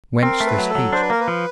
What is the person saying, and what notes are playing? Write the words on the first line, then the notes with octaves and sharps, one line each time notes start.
Whence this heat?
C4 A#4
A3
B4
F#3
A4
F#3
D4 C5
B4
A#3 A#4
B4
F3